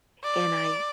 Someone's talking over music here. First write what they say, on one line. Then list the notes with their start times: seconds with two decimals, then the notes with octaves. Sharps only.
and I
0.24 D5